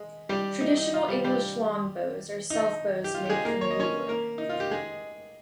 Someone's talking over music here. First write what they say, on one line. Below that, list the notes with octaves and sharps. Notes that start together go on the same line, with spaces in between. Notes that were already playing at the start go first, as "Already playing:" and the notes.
Traditional English longbows are self bows made from yew wood.
Already playing: G#3
G3 G4
D#4
D#4
F4
G3 G4
G3 G4
D#4
G4
F4
G4
G#3 G#4
A#3 A#4
C#5
D#5
C#4 C#5
A#3 A#4
D#4
F4
G4
G#3 G#4